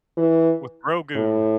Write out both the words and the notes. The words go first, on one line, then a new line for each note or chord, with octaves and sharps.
With Grogu.
E3
A2